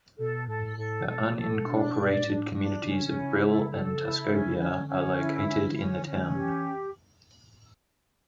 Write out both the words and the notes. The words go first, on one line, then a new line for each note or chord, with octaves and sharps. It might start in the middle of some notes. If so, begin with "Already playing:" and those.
The unincorporated communities of Brill and Tuscobia are located in the town.
B2 A4
A2 A4
A2 A4
C#3
B2 A4
A4
D4
B2 D5
A2 D4
D4
C#3 C#4
E4
A4
A4
E4
C#4
D3 C#4
C#4
E4
C#4
C#4
C#4
E3 G4